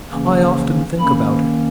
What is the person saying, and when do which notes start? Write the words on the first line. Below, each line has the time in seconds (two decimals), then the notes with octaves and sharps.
I often think about it.
0.10 C#3 E3 A#3 C#4
0.99 D#3 A#3 C#4 B5